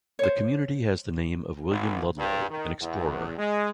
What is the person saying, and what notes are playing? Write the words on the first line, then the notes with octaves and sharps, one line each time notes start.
The community has the name of William Ludlow, an explorer.
C5 C#5
G#1
G2
D#3
E2
G#3